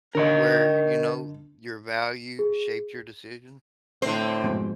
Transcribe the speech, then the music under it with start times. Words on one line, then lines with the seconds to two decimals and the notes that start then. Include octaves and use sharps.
where, you know, your value shaped your decision?
0.15 D3 A#4 C#5 D#5
2.39 G#4
4.02 A2 D3 C4 C5
4.44 F2 G#2 B2